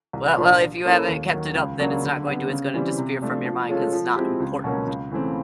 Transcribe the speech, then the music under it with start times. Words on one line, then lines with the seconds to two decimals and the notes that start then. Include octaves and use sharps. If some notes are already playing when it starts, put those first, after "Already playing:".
Well well if you haven't kept it up, then it's not going to it's gonna disappear from your mind 'cause it's not important.
0.13 C2
0.37 A#2 F3 A#3 D4
0.61 F3
0.85 A#3 C#4 E4 A4
1.08 D#2
1.32 D#3 F#3
1.55 C#2
1.79 C#3 F#3 A#3 D4
2.03 D3
2.27 G3 B3
2.50 C#3
2.74 E3 G3 C4
2.98 C3
3.22 F3 A3 D4 F4
3.45 F3
3.69 G#3 C#4 F4 A4
3.93 F3
4.16 G#3 C4 E4 G4
4.40 C#2
4.64 B2 F#3 A#3 C#4
4.87 C#2
5.11 C#3 E3 A3 C4